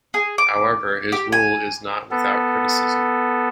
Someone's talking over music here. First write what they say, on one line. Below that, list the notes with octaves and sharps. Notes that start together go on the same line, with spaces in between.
However, his rule is not without criticism.
G#4
D6
G4
G#5
B3 A4